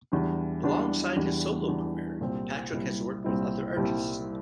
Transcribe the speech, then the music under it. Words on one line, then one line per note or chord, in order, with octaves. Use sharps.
Alongside his solo career, Patrick has worked with other artists.
E2 E3 G3 D4
E2 E3 G3 D4
E2 E3 G3 D4
E2 E3 G3 D4
C2 A#2 G3 C4 E4
C2 A#2 G3 C4 E4
C2 A#2 G3 C4 E4
C2 A#2 G3 C4 E4